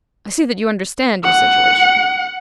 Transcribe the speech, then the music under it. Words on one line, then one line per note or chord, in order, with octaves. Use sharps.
I see that you understand your situation.
F#5